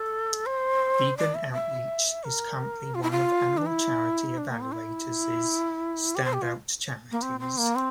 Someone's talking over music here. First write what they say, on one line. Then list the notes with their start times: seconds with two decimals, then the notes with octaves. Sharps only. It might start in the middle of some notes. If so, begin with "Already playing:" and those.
Vegan Outreach is currently one of Animal Charity Evaluators' Standout Charities.
Already playing: A4
0.46 C5
1.17 D5
1.35 E5
1.52 E5
2.24 A#4
2.95 F4
3.03 E4
3.11 F4
3.57 D4
3.66 E4
4.38 D4
4.50 A#3
4.61 C4
4.73 E4
6.16 G4
6.24 C5
6.33 G4
6.42 F4
7.12 A#3
7.22 C4
7.40 C4
7.58 A#3
7.76 C4